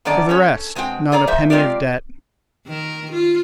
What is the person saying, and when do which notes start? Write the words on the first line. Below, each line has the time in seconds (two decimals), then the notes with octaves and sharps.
For the rest, not a penny of debt.
0.05 F#2 D3 D#3 B3 D5 A5
0.29 C#4 A4 C#5
0.75 B2 G#3 C4 F#4 G5
1.12 G#4 D5 A#5
1.27 G#2 F3 C5 E5
1.50 G#3 C4 F4 G4 A#4 D5
2.66 D#3 A#4
3.13 F4